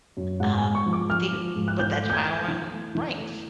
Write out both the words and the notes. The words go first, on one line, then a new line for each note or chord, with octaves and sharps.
um, see what that trial run brings,
F#2
G#2 F#5
G#5
G#2
C#6
F3
D6
F3 F6
F3
G#2
F#6
E3 G6
A3
G6
G#6
A3
E3
A3
E3
A3